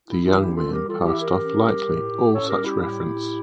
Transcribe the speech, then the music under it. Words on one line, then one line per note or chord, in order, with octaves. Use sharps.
The young man passed off lightly all such reference.
E4
E3
D4 F4
C#4 E4 G4
F4 A4
G3
G4 A#4
E3 F4 A4
F4
E4 G4
E3
G4 A#4
C#4
G3
A2
A2
C#4 A4 C#5
G4 A#4
G3
E4 G4
A2 E4 G4
A2